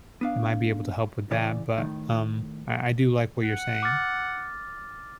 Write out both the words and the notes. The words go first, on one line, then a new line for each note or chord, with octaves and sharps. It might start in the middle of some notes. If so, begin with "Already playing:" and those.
I might be able to help with that but, um, I I do like what you're saying.
B3 D4 F5
C#3 E3 D5
A2 D#3
F#5
D6 F6 A6